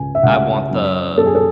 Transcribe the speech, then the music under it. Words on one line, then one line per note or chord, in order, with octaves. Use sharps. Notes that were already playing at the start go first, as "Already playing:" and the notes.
I want the the
Already playing: C#2 G#2 G#5
E5
C#2 F#5
F#2
F#2 A4
G#4
A4